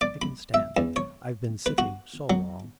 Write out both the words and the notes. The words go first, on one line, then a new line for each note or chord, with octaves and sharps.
I can stand, I've been sitting so long.'
D5
B5
E5
E2
C#5
B4
F#4
F#3